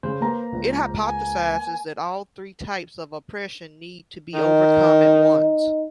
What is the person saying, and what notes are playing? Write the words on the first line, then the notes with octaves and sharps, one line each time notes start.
It hypothesizes that all three types of oppression need to be overcome at once.
C#3 C5
A#3 B4 A#5
C#2 C5
G#5
D#3 D#4